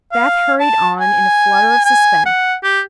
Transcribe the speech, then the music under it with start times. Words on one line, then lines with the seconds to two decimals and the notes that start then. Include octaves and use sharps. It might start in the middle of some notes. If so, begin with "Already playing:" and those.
Beth hurried on in a flutter of suspense.
0.12 F5
0.60 A5
1.00 G#5
1.85 G#5
2.25 F#5
2.63 G4